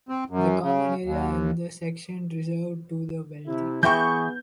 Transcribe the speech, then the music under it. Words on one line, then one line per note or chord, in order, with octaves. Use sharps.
The common area and the section reserved to the wealthy.
C4
F#2
C#3
D#2
C3 E4
E3 B3 E4 G#4 G5 C#6 G6